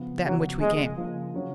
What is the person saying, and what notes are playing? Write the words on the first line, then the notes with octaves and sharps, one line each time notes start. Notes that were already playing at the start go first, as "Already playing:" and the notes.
"That in which we came."
Already playing: C#3 F3 B3
C#3 F3 F#3 B3
C#3 F3 G#3 A#3 F4
C#3 F3 A#3 F4
C#3 F#3 C#4